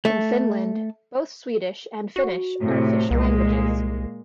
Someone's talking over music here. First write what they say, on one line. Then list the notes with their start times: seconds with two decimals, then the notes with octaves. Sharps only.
In Finland, both Swedish and Finnish are official languages.
0.05 A3
2.16 F#4
2.59 A2 C3
3.11 C2 A#2 G#3 A#3